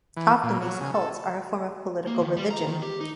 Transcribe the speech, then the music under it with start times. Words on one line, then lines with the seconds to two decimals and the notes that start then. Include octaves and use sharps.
Often these cults are a form of political religion.
0.17 E3
0.43 A#2
0.61 F#3
0.81 C#3
0.94 A4
2.07 A#3
2.21 D#3
2.37 G3
2.51 A#5
2.67 D#3
2.82 G4
3.01 D#4